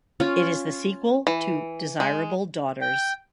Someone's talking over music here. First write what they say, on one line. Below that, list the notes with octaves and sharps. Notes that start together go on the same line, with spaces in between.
It is the sequel to "Desirable Daughters".
C#4 F4
E3
G#3
G5